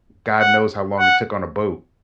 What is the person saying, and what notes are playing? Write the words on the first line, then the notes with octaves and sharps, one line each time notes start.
god knows how long it took on a boat.
F#5
F#5